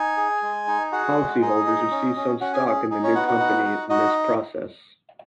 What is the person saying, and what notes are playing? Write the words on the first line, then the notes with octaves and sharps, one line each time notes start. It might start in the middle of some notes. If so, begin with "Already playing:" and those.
Policyholders received some stock in the new company in this process.
Already playing: D#4 G#5
G#4
G#3
D#4
F#4 G#4 F#5
G#3
D#4 G#4 D#5
D#4
C#4
C#4
C#4 F#4 F#5
G#4 G#5
G#4
D#4 G#4
C#4 C#5
B3 F#4 F#5
F#4 F#5
D#4
D#4
D#4 F#4 D#5